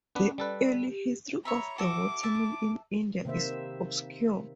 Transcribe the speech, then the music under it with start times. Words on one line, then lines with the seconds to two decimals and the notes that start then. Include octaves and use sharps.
The early history of the watermill in India is obscure.
0.15 B3 C#4 D4 B4
0.38 G3 A4 B4 D5
0.89 G4
1.45 C#5 E5 A#5 B5
1.78 F#4 A4 E5 D6
2.23 E5 A5
3.25 C3 D#3 A#3 C5 E5